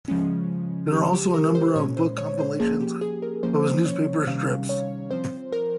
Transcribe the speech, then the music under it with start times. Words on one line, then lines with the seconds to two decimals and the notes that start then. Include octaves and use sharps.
There are also a number of book compilations of his newspapers' strips.
0.08 C#3 F3 G#3 C#4
0.92 C#3 F3 G#3 C#4 G4
1.13 G4
1.34 A#4
1.55 C5
1.76 A#2 G#3 C#4 C#5
1.97 C5
2.18 C#5
2.39 C5
2.60 F3 A#3 C#4 G#4
2.80 G4
3.01 G#4
3.22 A#4
3.43 F3 A#3 C#4 C5
3.85 C#5
4.27 C3 D#3 G3 C#4 F5
4.69 C#5
5.11 F3 C4 C5
5.52 A#4